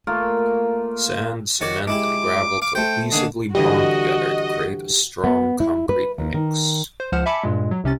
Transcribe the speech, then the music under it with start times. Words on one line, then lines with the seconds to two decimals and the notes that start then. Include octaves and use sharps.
Sand, Cement and Gravel cohesively bond together to create a strong concrete mix.
0.07 A3 A#3 F4 A#4
1.61 D#3 F#4 C#5 D5
1.88 G#3 E4 G4 D6
2.62 F5 D6
2.75 A3 C5 G5
3.12 D3 D#3 A#3 G#4
3.55 D3 E3 G3 F#4 G4 D#5
5.24 B3
5.60 E4
5.89 B4
6.18 D#2
6.34 D#3
7.00 C5
7.12 C#2 F3 C5 F#5 F6 E7
7.26 E5 G#5 A5 B5 D6 C#7
7.43 G2 A#2 G#3
7.71 F#3
7.84 C2 C3 C#4 A6